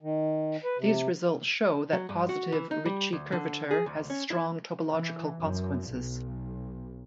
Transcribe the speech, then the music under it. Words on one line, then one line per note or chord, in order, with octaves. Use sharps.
These results show that positive Ricci curvature has strong topological consequences.
D#3
B4
C3
F#3
G2
F#4
E3
D#4
G3
D2
D3
G#4
D2
C#4
E4
E3
F#2
B1